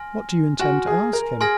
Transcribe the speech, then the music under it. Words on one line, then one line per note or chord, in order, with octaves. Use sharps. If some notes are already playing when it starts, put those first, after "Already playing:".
"What do you intend to ask him?"
Already playing: G#5 C6 F6 A#6
F#4 G#5 C6 F6 A#6
G#4
A#4
G#4 G#5 C6 F6 A#6